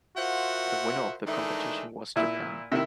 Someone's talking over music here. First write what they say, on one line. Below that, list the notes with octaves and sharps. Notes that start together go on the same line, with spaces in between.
The winner of the competition was Japan.
F4 F#4 A#4 C5 E5 F#5
D#3 E3 G#3 A3 D4 D#4
A#2 E4
C3 D#3 E4